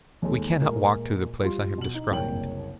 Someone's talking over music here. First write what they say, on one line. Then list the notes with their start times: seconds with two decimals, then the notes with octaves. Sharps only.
We cannot walk to the place I have described.
0.22 D#2 G#3 A4
0.61 A#2 G#3 A#3
1.42 G3 F4 C6
1.78 B2 F#7
1.94 D#4
2.10 F#1 C2 A#3 C#5 G5 F#7